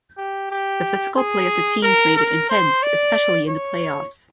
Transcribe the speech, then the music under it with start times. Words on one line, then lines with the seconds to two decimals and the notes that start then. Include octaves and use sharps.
The physical play of the teams made it intense, especially in the playoffs.
0.18 G4
0.51 G4
1.17 G#4
1.83 A#4
2.17 A#4
2.49 C5
2.83 D5
3.48 C#5